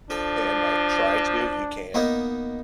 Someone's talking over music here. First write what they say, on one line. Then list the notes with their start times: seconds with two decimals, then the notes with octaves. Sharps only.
and, like, try to, you can,
0.10 F3 D4 A4
1.94 A#3 B3 D#4